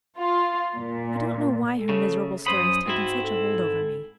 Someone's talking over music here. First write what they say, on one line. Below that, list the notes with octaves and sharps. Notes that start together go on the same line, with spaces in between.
I don't know why her miserable story has taken such a hold over me.
F4
A#2
A4
C#3 A3
F#2 C5 B5 D#6
G#2 C4 E4 F#4
A4